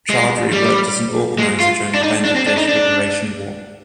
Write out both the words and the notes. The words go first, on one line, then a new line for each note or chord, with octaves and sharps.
Chowdhury worked as an organiser during the Bangladesh Liberation war.
G#3
G3
G#3
F4
D4
D#4
D4
C4
D4
D#4
D4